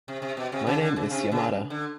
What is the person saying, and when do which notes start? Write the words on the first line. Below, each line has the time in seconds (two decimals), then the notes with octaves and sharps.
My name is Yamada.
0.08 C3
0.22 C3
0.37 B2
0.52 C3
0.67 C#3
0.81 D3
0.96 C#3
1.11 C3
1.32 C#3
1.70 D3